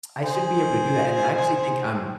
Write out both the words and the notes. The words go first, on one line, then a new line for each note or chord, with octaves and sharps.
I should be able to do that, and I actually think, um,
G#4 C5